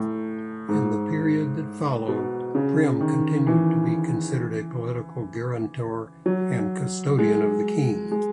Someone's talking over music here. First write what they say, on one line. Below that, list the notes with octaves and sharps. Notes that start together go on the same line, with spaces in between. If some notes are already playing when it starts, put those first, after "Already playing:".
In the period that followed, Prem continued to be considered a political guarantor and custodian of the king.
Already playing: A2
G#2
B2
C#3
D#3
E3
F#3
G#3
G#3